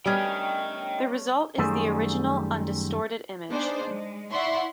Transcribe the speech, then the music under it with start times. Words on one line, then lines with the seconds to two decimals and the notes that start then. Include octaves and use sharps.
The result is the original, undistorted image.
0.06 G3 A3 B3 C#4 D#5 G5
1.58 F#2 D#3 G3 A3 G#4 C5
3.50 B3 D4 D#4 G#4 C5 D5
3.89 G#3
4.31 E4 D5 E5 F#5 C6 C#6